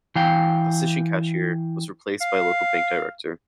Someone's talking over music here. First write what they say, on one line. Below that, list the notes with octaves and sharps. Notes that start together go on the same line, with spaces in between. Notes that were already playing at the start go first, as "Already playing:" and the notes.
The position cashier was replaced by a local bank director.
E3 F5 G5
F5